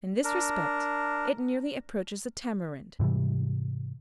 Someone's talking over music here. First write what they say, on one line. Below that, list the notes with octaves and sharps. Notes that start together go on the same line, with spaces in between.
In this respect, it nearly approaches the tamarind.
D4 A#4
G#2 C3 E3 G3